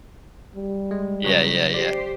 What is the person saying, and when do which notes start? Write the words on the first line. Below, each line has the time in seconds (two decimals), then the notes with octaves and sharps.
Yeah, yeah, yeah.
0.56 G3
0.91 G#3
1.25 C#3 F#3
1.74 G4 C5 D5